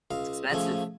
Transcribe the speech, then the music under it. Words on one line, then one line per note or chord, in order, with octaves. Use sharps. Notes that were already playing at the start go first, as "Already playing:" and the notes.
It's expensive.
C#2 F5
C#3 F3 A3 C#4